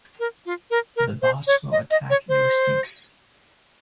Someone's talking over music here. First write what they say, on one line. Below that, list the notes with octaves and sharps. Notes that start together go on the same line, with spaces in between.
The boss will attack your sinks.
A#4
F4
A#4
A#4
C5
C#5
D#5
D#5
C#5
C5